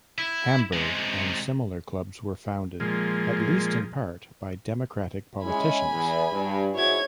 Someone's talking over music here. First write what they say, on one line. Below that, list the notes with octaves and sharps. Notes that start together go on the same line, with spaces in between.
Hamburg and similar clubs were funded, at least in part, by Democratic politicians.
E4
C3 G#3
A#2 F3 G#3
G#3 C#4 E4 G#5 B5
E2
G2
G#2 E4 F#4 C#5 G#6